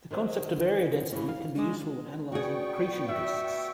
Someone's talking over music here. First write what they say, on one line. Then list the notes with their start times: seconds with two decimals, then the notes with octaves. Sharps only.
The concept of area density can be useful when analysing accretion disks.
0.11 D#3 F#3 C5
1.12 C#3 E3 C#4
1.28 F5
1.55 G#3 F#4 D5
2.32 B3 F#4 G#4 D5 G5 C#6
3.08 F#4 E5